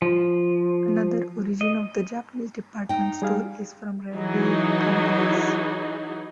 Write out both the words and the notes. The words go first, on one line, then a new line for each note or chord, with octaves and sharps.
Another origin of the Japanese department store is from railway companies.
F3
D#5
D#4 G5
G3 G#4 F5
E3 F#3 D#4 G#4